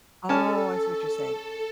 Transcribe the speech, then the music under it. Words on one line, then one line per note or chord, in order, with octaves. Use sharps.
Oh, I see what you're saying.
C#4 A4 A5 F6